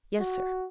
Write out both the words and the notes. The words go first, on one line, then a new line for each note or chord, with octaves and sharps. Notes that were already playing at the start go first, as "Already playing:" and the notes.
"Yes, sir."
F#4